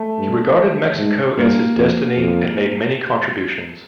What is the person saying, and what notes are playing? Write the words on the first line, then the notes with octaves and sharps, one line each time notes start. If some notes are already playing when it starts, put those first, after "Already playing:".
He regarded Mexico as his destiny and made many contributions.
Already playing: A3
G2
G#2
G2 A#3
F2
F2